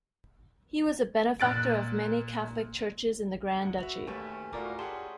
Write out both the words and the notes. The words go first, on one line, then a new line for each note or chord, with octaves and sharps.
He was a benefactor of many catholic churches in the Grand Duchy.
A#2 F#6 A6 D7
D2 F#5
F#4 B4 E5 F7 F#7
D#2 A3 C#4 G4 B4
A2 F4 F#4 A#4 D5 D6
G4 G#4 F#5 G#5 A5 C6